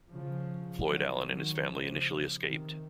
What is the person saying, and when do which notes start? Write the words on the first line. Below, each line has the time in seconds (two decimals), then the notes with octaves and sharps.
Floyd Allen and his family initially escaped.
0.10 C#3 F3
0.89 D#3 F#3
1.27 D#3 F#3
1.66 C#3 F3
2.43 C3 D#3